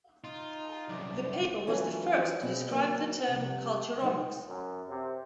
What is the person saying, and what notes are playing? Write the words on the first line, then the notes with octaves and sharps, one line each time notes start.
The paper was the first to describe the term culturomics.
D#4 F4
C2 F#2 D5
E3 F#3 C#4 D4 F4 B4
B2 C4 D4 G#4
D3 F#3 A#3 D4 B4
C3 F3 G3
F#3 A3 B3 D#4
F#2
C3